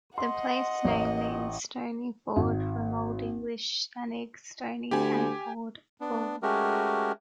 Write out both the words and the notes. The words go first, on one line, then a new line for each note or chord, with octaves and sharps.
The place-name means 'stony ford' from Old English "stanig" 'stony' and "ford" 'ford'.
D#5 F#5 C6
A1
G#1
D2 G4 G#5
B3 D4
G#3 A3 C#4 F#4 G4 A#4